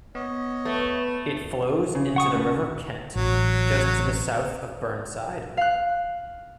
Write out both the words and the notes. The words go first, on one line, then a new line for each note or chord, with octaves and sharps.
It flows into the River Kent just to the south of Burneside.
B3 C#5 D#5
A3 B4
C#3
F#5 C#6 D#6
A3 B4
A1 F#3
F5 F#6